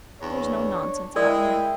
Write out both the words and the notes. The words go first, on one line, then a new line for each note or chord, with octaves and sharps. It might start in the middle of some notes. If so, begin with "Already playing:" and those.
"There is no nonsense about her."
E2 D4 C#5
G#3 E4 G#4 A#4 D5 E5 G5 D#6